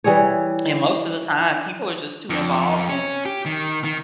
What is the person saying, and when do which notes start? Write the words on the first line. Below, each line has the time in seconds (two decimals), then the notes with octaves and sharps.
and most of the time, people are just too involved in
0.04 E3 G3 G#4 C#5
2.30 F2
2.89 C#4
3.26 G4
3.46 D#3
3.84 D#3